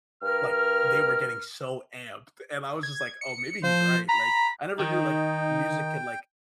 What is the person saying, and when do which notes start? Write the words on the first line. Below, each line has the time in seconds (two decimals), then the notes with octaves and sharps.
like they were getting so amped and I was just like, "Oh maybe he's right," like I never knew like music could like
0.22 G2 A#4 F6
2.83 G#6
3.21 C#7
3.64 F3 C5
4.09 A#5 B5
4.79 D#3 D#4 G5